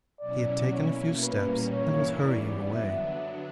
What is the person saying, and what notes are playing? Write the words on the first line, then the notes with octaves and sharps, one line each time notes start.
He had taken a few steps, and was hurrying away.
B2 F#3 C#4 E4 D5
B2 A#3 C#4 E4 C#5
A#2 G3 A#3 C#4 B4
G2 E3 A#3 C#4 E4 C#5
F#2 E3 G3 B3 D5
D3 F#3 B3 D4 E5